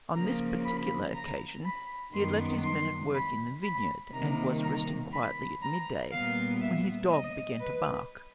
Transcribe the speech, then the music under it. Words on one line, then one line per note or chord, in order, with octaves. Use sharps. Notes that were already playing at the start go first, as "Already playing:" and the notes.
On this particular occasion he had left his men at work in the vineyard, and was resting quietly at midday, when his dog began to bark.
C#3 F3 A#3 A#5
B5
A#5
B5
F#2 D#3 G3 B3 C6
C6
B5
B5
C3 D#3 G3 A#3 A#5
A#5
B5
A#5
A#2 G3 B3 F5
E5
D#5
B4